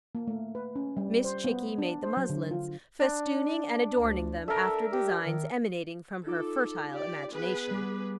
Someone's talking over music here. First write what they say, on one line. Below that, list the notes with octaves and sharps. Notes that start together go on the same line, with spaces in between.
Miss Chickie made the muslins, festooning and adorning them after designs emanating from her fertile imagination.
A#3
A3
B4
C#4
G3
C5
B3
D4
C5
F#3
D3
F4
D4
D2
A4 A#4 E5
G4
D#3
D#4 F4 A4 D6
G4 D5
B3 G#4 B4
G3 D6